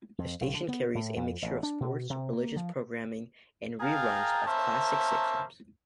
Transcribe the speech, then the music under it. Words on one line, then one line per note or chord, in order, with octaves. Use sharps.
The station carries a mixture of sports, religious programming, and reruns of classic sitcoms.
F2
B1
D3
B3
A2
F2
A1
D4
B2
C3
A#3
F3
G#4 A#4 F5 G5 A5 A#5
A#3 C#4 A#4 C5 E5 A5